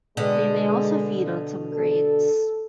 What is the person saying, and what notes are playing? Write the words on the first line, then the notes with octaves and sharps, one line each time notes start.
They may also feed on some grains.
B2 D3 G#3
A4